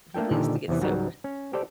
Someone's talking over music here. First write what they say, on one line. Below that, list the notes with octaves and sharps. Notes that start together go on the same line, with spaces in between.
People used to get so frust
A3 A#3 D4 A4 G5
A#2 D3 D#3 G4 A4 G#5
E2 C3 E3
C#2 G#2 C#3 F#3 G3 A#5
C#4
G4 A4 C5 D5 G5